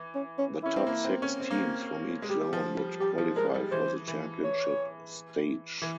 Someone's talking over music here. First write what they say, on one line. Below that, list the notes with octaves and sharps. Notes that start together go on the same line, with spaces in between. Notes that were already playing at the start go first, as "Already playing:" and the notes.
The top six teams from each zone would qualify for the championship stage.
Already playing: E3
C#4
C#4
C#4 E4
C4
A#3
C4
C#4
C4
A#3
C4
G#3
G3 G4
F3
G3
G3 G4
F3
G#3 A#4
G3
E3 C5
E3
C#5
E3